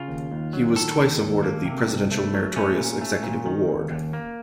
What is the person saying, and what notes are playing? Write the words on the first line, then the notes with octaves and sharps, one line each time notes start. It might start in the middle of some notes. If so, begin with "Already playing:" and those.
He was twice awarded the Presidential Meritorious Executive Award.
Already playing: C#3 F4
D#2
D#2
F#3
D#3 A4
D#2
D#2
A#3
C3
C2
A3
F#3
A3 C#4
A#2
A3
A#2
D#3
D#2
D#2
A#3